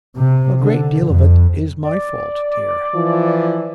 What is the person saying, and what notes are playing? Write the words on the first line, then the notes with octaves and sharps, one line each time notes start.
'A great deal of it is my fault, dear.
C3
D3
F2
D5
E3 F3